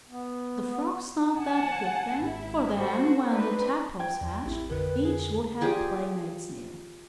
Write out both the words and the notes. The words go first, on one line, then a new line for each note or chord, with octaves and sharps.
The Frogs thought that a good thing, for then, when the Tadpoles hatched, each would have playmates near.
B3
F#5 G#5 A5
G#1 E4
F#4 A4 C5
C4 D4 D#4 B4 C5
G5 G#6
E2
A1 C4 E4
F2 D3 A#4 B4
G#4
F3 G4 G#4 D5